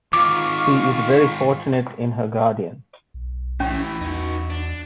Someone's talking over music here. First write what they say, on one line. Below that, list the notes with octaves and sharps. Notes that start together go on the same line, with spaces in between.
She is very fortunate in her guardian.
G#2 D#3 F4 C#6 D6
B1
A2 E3 C#4
E2 D#4 F#4
D4